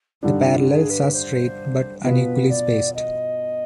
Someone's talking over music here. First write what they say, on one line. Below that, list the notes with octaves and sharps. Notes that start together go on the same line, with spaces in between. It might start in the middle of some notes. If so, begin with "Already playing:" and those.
The parallels are straight but unequally spaced.
G2 D3 G3 D4 D#4
F4
G#4
B4
C5
B2 B3 F4 B4
D5
D#5